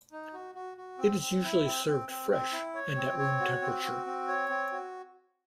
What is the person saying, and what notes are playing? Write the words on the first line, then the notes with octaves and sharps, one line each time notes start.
It is usually served fresh and at room temperature.
D#4
F#4
F#4
F#4
C4
C4
E4
C4
C4
C4
C4
E4
C#5
C4
C#5
F#4
C4
F#4
C4
C#5
C4
F#4